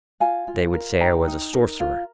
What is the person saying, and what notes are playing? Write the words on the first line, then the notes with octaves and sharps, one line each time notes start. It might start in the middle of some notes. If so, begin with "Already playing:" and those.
'They would say I was a sorcerer.
F4 F5 G#5
F4
A#4
D#4 G5 A#5
D#4
A#4
F4